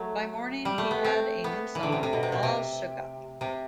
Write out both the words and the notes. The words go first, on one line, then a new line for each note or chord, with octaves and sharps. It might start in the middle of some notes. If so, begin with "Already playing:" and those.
By morning, he had a new song, 'All Shook Up'.
Already playing: F#3 A3
G3
A3
B3
C4
B3
E3
D3
C3
C3
B2
C3
B2
C3
C3